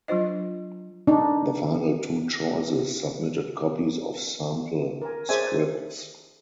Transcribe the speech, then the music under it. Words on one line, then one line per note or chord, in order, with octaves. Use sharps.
The final two choices submitted copies of sample scripts.
F#3 D4 F4 C5 D#5
D4 D#4
A#4 G#5
G#4 C5 D5 E5 G#5